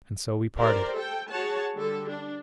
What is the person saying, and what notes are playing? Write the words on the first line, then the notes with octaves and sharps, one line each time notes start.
And so we parted.
G4 A#4 C5 D5
A4 G5
F#4 G#4 C#5 F#5 A5
D3 G3 A4
D4